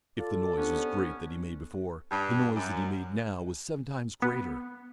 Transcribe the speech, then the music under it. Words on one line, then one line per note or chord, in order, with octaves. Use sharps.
If the noise was great that he made before, the noise that he made now was seven times greater.
F4 A4 D5
C2 B3 C#4 D4
G2
F#2
B3